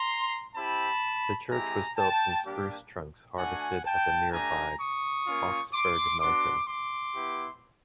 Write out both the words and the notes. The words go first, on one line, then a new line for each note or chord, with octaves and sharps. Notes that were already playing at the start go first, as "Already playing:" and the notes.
The church was built from spruce trunks harvested at the nearby Bocksberg mountain.
Already playing: A#5 C6
C4 E4 G4 A5 B5
G#3 C4 E4 G4 G#5 A#5
G5 A5
G3 A#3 D4 G4
A3 D4 F#4 F#5 G#5
G5 A5
A3 D4 G4 G#5 A#5
C#6 D#6
A#3 C#4 F4
C6 D6
B3 D4 F#4 C6 D6
C6 D6
B3 E4 G4